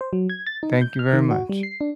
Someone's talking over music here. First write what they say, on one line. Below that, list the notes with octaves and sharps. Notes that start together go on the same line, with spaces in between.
Thank you very much.
C5
F#3
G#6
A6
D#4
G6
F6
D#3
F#4
G3
C7
D4